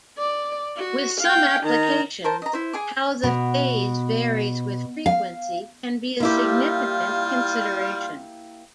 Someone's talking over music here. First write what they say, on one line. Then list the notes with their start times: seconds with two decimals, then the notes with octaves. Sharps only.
With some applications, how the phase varies with frequency can be a significant consideration.
0.18 D5
0.77 F#4
1.21 F5 G5
1.64 D#3 A#5
2.24 A#4 C5 A5
2.42 D#5 A#5
2.53 E4 C5
2.73 G#4 G#5 D6
3.23 B2
5.06 F5
6.20 G3 A#3 E4 F4 G4